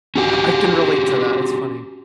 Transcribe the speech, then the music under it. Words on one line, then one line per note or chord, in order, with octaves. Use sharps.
I can relate to that, it's funny.
C#4 F#4 G4 G#5